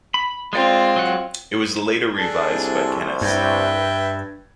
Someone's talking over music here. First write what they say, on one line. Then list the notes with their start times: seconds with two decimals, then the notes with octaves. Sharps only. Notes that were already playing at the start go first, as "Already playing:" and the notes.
It was later revised by Kenneth Stamp.
0.14 B5
0.53 G#3 C4 F4 D5
0.96 F#3 G#3 F#5
2.14 D4 G#4 A4
2.53 C2
3.21 G2 B4 E5 G5